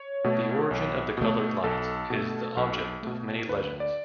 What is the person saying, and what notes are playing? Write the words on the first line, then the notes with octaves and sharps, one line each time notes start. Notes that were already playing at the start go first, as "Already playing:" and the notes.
The origin of the colored lights is the object of many legends.
Already playing: C#5
B2 A3
B1
B2 A3
B1 A4
B2 A3
B1
B2 A3
D2 B4
D5